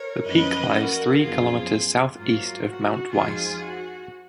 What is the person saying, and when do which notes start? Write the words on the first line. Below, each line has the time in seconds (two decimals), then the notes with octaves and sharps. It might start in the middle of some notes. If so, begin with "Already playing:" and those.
The peak lies three kilometers southeast of Mount Weiss.
Already playing: A#4 C#5
0.25 F#2 F3 A#3 C#4 B4 D#5
0.73 F#4 A#4
1.21 F#2 F3 B3 F4 G#4
2.17 G#2 F#3 A#3 F4
2.65 F#4
3.12 F2 F3 G#3 D#4 F4 G#4
3.60 F#4